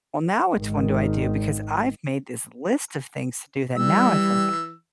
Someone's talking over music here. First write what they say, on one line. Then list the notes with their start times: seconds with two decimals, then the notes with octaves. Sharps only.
"Well, now which one do I do, because I've made this list of things to do that now I feel like
0.55 G#1 D#3
3.77 E3 G3 E6